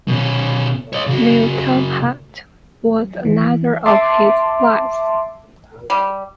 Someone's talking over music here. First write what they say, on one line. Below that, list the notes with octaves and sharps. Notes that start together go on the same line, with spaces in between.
Mutemhat was another of his wives.
B2 C#4
C#5 D#5
C#3 F#4
E3
E5 A5 C6 D6
G3